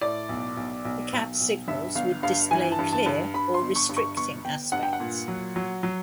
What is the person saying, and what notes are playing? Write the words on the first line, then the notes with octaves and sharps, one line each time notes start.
The cab signals would display "Clear" or "Restricting" aspects.
A2 D5
B1
B1
B1
B1
B1
G2 E5
G1 F5
G2 F5
E3 G#5
A5
G2
A5
G2
G2 B5
C6
G1
C#6
G2
C#6
G1 C#6
G1 G5
G2 F#5
G5
F#5
A#2
F#3
F#3
F#3